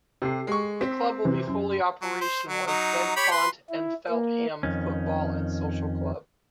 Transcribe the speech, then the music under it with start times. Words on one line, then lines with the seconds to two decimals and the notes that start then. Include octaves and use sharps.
The club will be fully operational as Bedfont and Feltham Football and Social Club.
0.22 C3 G4 A4 C7
0.47 G#3 C#6
0.81 C4 B6
1.25 C3 E3
1.47 F#2
2.02 F#3
2.21 C5
2.48 F#3
2.68 F#3 D#4
3.16 G4 C#5 B5
3.32 B4 C6
3.70 E4
4.09 A#3
4.63 F2 D#3 C#4